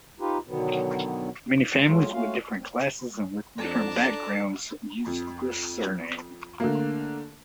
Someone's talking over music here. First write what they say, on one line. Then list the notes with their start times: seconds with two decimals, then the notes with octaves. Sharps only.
Many families from different classes and with different background used this surname.
0.20 D#4 F4 G4 B4
0.48 B2 D3 D#3 F#3 B3
1.74 G#3 C4
1.86 F#3 G#3 A3 F4
2.13 A3 C#4 F4 F#4 F5
3.58 F2 D4 A4 D5 A5 A#5 D6
5.06 F2
6.60 D3 A3 A#3